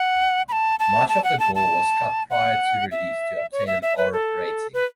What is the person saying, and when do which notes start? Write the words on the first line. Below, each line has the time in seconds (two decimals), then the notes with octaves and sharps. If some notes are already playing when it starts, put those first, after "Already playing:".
Much of the gore was cut prior to release to obtain an R rating.
Already playing: F#5
0.49 B5
0.52 A5
0.79 A5
1.09 A5
1.24 F#5
1.40 A5
1.55 A5
2.30 F#5
2.92 E5
3.52 C#5
3.67 E5
3.82 E5
3.98 B4
4.13 A4
4.74 B4